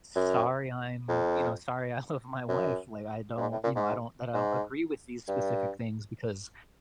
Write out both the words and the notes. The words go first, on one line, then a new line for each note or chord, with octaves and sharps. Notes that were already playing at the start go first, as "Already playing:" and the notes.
"Sorry, I'm" You know, "Sorry, I love my wife." Like, I don't you know, I don't that I don't agree with these specific things because,
F#2
F2
F#2
G2
G#2
A2
A#2
G#2
G#2
G2